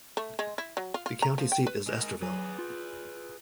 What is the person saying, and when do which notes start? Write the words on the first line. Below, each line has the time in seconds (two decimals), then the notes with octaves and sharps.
The county seat is Estherville.
0.17 A3
0.39 G#3
0.58 E4
0.77 F#3
0.94 F4
1.06 F4
1.22 A#5
1.38 F3
1.52 G5
1.67 B4
1.87 G#3 A#4
2.22 F#3 G#4 B4 G#5
2.59 F4